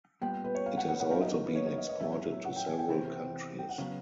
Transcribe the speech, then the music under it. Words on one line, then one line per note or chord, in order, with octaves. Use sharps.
It has also been exported to several countries.
A#2 G3 B3 G5
B4
C#5
F5
F#5
F#5
F#5
F#3 B3 D#4 F5
D#5
A#4
B4
C#5
C#5
D#5
D#5
A2 F#3 A3 C#4 E5
F#5
G5
G#5
G5
C3 E3 A3 C4
G5
F#5
C#3 F#3 B3 F5